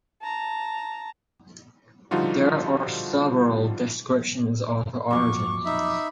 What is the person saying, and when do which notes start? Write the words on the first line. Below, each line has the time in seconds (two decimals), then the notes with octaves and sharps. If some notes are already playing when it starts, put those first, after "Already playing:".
There are several descriptions of her origin.
0.22 A5 A#5
2.11 D3 F3 G3 D#4 F4 F#4
5.11 F2 F#3 A#3 C#6 D6
5.66 D#4 E5 B5